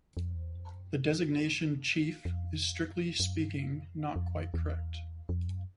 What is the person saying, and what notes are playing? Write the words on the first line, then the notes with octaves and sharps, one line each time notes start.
The designation "chief" is, strictly speaking, not quite correct.
F2
E2
F2
F#2
F2
F#2
F2
F#2
G2
F#2
F2
F2
E2
F2
F#2